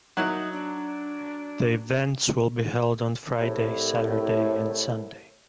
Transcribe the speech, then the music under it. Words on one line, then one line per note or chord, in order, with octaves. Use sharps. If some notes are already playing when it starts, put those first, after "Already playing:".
The events will be held on Friday, Saturday and Sunday.
F#3 A#3 D#4 E4 F#5
D4
C2 A2